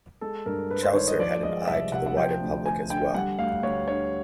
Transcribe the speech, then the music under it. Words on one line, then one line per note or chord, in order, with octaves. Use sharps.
Chaucer had an eye to the wider public as well.
G#3 A4
G2 A#4
G2 B4
C5
D#3 C#5
D#5
F3 D5
G#3 D#5
C2 E5
C3 F#5
F#5
F3 G5
D2
D2 G#5
D3 G5
G3 F#5
D2 F5
D2 C#5
D3 C#5